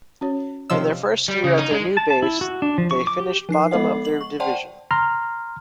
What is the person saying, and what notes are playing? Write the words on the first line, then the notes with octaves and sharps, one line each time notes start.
In their first year at their new base, they finished bottom of their division.
C#4 F#4 C#5
C3 F3 C#5 D#5 C6 E6
G3
C#3
D#4
G#3
A5
A5
E4
F#4
D4
F3
C#6
D6
G4
F3 D#4 C7
G#3 B3 A4 D#5 F#5
F#7
C#6
C5 D5 F#5 G5 A5 C6
A#5 C6 F6